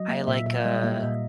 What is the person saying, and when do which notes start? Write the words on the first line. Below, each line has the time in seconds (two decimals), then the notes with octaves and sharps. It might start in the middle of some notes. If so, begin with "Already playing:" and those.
I like, uh,
Already playing: F#3 D#5
0.08 A#3
0.27 A#2 E5
0.46 A#2 E5
0.61 E5
0.65 G3 D#5
0.84 A#3 E5
0.97 E5
1.03 A#2 D#5